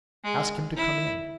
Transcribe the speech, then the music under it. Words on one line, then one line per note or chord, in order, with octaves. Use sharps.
Ask him to come in.'
G#3
E4